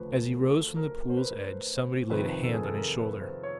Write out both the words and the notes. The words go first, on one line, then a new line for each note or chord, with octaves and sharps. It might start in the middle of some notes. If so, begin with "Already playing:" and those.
As he rose from the pool's edge, somebody laid a hand on his shoulder.
Already playing: D2 C#3 F3 B4 C5
A#4
A4
A#4
C5
B4
A#4
B4
C5
C5
F2 C3 D#3 B4
A4
G#4
A4
A#4
B4
C5
C#5